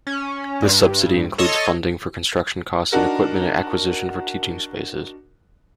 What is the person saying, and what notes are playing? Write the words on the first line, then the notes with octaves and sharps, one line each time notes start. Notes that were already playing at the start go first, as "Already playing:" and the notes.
This subsidy includes funding for construction costs and equipment acquisition for teaching spaces.
C#4
G2
A4 C#5 D#5 C6 C#6
D4 D#4 F#4 A#4